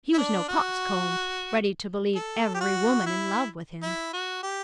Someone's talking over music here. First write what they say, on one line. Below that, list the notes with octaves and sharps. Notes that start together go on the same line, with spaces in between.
He was no coxcomb, ready to believe every woman in love with him.
E4
D4
F#4
A4
G4
F#4
E4
E4
F#4
G4